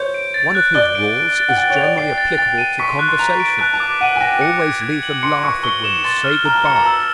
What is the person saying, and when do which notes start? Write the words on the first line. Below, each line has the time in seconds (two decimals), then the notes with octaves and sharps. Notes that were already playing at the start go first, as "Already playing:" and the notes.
One of his rules is generally applicable to conversation: "Always leave them laughing when you say good bye."
Already playing: C5 C#5 G6
0.14 D7
0.34 A6
0.55 F#6
0.75 D5 G7
0.95 D7
1.16 D7
1.36 A6
1.48 F#5
1.57 G5 A6
1.70 C#5
1.77 F7
1.83 D5
1.97 G5 C7
2.18 A6
2.38 G5 A6
2.58 D#7
2.79 C#6 B6
2.88 C6
2.99 F#6
3.08 C6
3.19 A#5 F7
3.40 D7
3.60 A5 F#6
3.74 A5
3.80 D6
4.01 F#5 D#7
4.16 G#5
4.21 G5 A#6
4.41 C#7
4.62 G#6
4.82 G#6
5.03 F#7
5.23 C6 C#7
5.43 C#6 G#6
5.63 C#6 G7
5.84 E7
6.04 C6 A6
6.24 F6
6.45 A#5 F6
6.55 A5
6.65 A#5 C#7
6.76 A#5
6.85 A5 E6